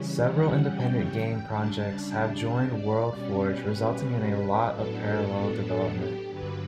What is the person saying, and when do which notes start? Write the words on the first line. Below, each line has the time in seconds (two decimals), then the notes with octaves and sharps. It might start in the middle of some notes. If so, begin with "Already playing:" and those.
Several independent game projects have joined WorldForge, resulting in a lot of parallel development.
Already playing: C#3 E3 G3 C#4
0.27 F#5
0.66 G5
1.47 C#3 G3 D4 A5
2.27 A5
2.67 D5
3.08 B2 G3 C#4
3.48 B4
3.88 B4
4.28 B4
4.68 A2 F#3 B3 D4 A4
5.09 A4
5.89 G4
6.29 G2 D3 F#3 B4